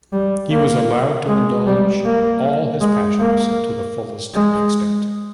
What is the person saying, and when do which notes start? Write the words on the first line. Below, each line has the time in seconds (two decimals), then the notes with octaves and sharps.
He was allowed to indulge all his passions to the fullest extent.
0.12 G3
0.51 A#3
1.28 G#3
1.66 G3
2.04 A#3
2.81 G#3
3.19 A#3
4.34 G#3